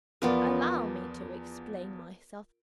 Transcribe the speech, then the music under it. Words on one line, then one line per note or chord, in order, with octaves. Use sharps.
"Allow me to explain myself."
E2 F3 B3 F4 A#4 D5